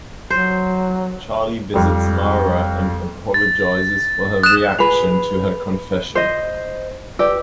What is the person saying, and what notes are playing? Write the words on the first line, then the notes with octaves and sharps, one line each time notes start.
Charlie visits Mara and apologizes for her reaction to her confession.
F#3 C5
F2 G3
A6
D#6 F#6 E7
G#4 B4 B5 F7
C5 D#5
G4 B4 D5 E6